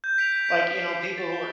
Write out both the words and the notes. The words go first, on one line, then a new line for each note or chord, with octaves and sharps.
like, you know, people who are
G6
B6 D7 F7
G6
B6 D7 F7
G6
C7 E7
G6
C7 E7
A6
E7 G7